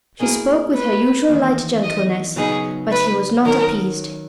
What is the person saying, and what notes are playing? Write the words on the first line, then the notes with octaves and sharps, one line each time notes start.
She spoke with her usual light gentleness, but he was not appeased.
B2 A#3 E4 G#4 A#4
B4
E2 D#3 A#3
D#5
C#3 F#3 B3 D#4 G#4
B4
D#3 F#3 C#4 A#4